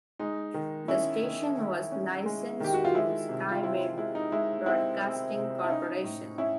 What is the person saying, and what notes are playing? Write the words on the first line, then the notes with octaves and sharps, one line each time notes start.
The station was licensed to Skyway Broadcasting Corporation.
G#3 D#4
D#3
C#4 E4
D#3
D#3
C#4
G#3
D#3 G4
F#4
F4
G#3 E4
C3
F4
C4 E4
E4
G#3 E4
D#4
G#3 E4
C4 E4
C4
C3
E4
C#4 D#4
A2
C#4 E4